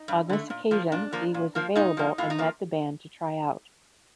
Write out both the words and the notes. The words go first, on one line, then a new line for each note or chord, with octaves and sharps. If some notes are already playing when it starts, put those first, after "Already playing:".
On this occasion, Dee was available and met the band to try out.
Already playing: D#4
G2
D3 A3
A#2
F3 A#3
A#2 D4
F3 A#3
A#2
F3 A#3
A#2 D#4
F3 A#3
A2 F4
D#4
F3 A#3